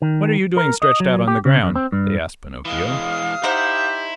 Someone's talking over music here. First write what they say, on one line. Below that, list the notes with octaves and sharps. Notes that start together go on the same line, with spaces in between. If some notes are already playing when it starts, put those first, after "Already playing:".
"What are you doing stretched out on the ground?" they asked Pinocchio.
D#3
A#4
D#5
F#3
G4
C#3
F#2
C4
G2
E3 G#3 F5 D#6 F6
D#4 E4 G4 C5 F#5